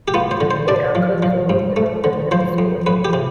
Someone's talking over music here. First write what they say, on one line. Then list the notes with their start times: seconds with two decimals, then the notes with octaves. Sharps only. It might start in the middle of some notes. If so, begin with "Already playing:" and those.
They occur throughout the Northern Hemisphere.
0.08 G4
0.14 B3 F4
0.31 C5
0.41 D3
0.51 C5
0.68 D4 D5
0.95 F3
1.23 F3
1.50 G2
1.76 A3
2.04 D3
2.31 F3 C5
2.58 F2
2.86 F2 B4
3.05 G4
3.13 C3